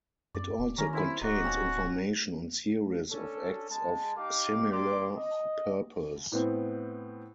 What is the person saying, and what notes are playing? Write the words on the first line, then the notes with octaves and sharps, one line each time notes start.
It also contains information on series of acts of similar purpose.
F#2 D5
D#1
D#3 C#4 A#4 A#5
E4 C5 B5
D1 D#4 F#4 D6 D#6
C#4 G5 A#5
C#4 D4 A4
G#3 A5
D#4 G4 F5 D6
A#3 G4 D5 C6 D6
D#5
A2 B3 C4